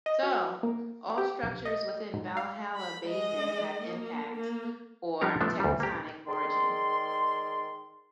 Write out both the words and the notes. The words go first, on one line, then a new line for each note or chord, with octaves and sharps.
So, all structures within Valhalla basin have impact or tectonic origin.
D#5
F#4
A#3
G4
B1
D#5
G#2
F5
B5
G#3 D#5
A#3
A#3
F3 G3 D4 G4 A#4 C#5
F3 A3 B3 D4
D2 G3
A#3 G4
G#2 D#3 G#4 D5 C6